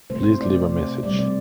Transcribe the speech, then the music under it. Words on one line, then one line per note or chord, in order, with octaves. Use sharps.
Please leave a message!
C3 A3 C5
D5
C3 A3 C5
C3 G3 D5
D5